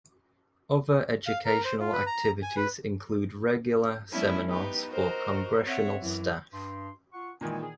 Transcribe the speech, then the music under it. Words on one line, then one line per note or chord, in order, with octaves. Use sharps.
Other educational activities include regular seminars for Congressional staff.
F5
A#4
C5
F4
B4
A#5
G#5
B4
F#3 G#3 B3 C#4 D4 E4
B3 D#4 G4 B4
F#4 A#4 C5 D#5
C4 C#5 E5 F#5
F#2 E3
G2 C6
F4 F#5 C#6
A#2 D#3 E3 G#3 G#5
G#4